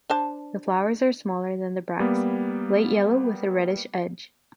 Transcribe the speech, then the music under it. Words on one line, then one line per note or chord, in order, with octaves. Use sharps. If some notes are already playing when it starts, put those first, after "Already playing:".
The flowers are smaller than the bracts, light yellow with a reddish edge.
D4 C5 A5
G3 A#3 B3